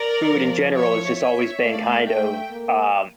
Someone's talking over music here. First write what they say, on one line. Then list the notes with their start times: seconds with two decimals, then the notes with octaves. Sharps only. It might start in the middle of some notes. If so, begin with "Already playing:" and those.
food in general has just always been kind of, um,
Already playing: A#4 D5
0.31 F3
0.75 C#5 E5
1.18 C#5 E5
1.63 A3 D5 F5
2.06 A3 E5 G5
2.50 A#3